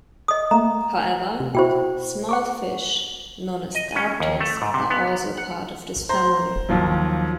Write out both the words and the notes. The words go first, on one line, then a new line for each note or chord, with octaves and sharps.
However, small fish known as darters are also a part of this family.
D#5 D#6
A3 A#3 A#5
C3
B2 E4 F#4 C5 G5
F#5 C#6 D6
D#5
C#4
D#2
A3
G#2
C3
B3
A#5
F#5
C5 A#5
D#2 F3 F#3